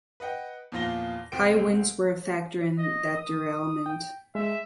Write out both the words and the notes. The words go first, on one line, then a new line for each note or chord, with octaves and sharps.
High winds were a factor in that derailment.
B4 D#5 F#5 G5
E2 A#2 F3 F4 A#6 G7
C2 C5 G5 D7
D#5
D#6
G5
G#3 E5